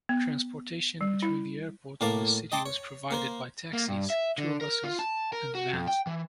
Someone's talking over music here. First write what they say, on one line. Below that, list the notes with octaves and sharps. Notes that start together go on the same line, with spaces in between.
Transportation between the airport and city was provided by taxis, tour buses and vans.
B3
G3
E4
A2 A#3 A#4 F5 A5 D6
D#5 G5 A5 C6 D6
C#5
A#3 A#4 C5
A#3
G2
E5
D3
A#4
F4
A5
A#4
F#4
F2
G5
E3